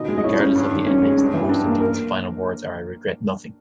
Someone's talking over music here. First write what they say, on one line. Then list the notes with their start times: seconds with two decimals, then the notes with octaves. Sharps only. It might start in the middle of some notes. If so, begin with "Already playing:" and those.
Regardless of the endings, the Postal Dude's final words are I regret nothing!
Already playing: B2 D#3 D#5
0.08 G#3
0.18 D#5
0.24 E4 C#5
0.40 C#4
0.55 G2
0.72 D#3
0.86 C#4
1.02 G#3
1.17 G2
1.34 E3
1.49 G2
1.65 A#3
1.80 A#4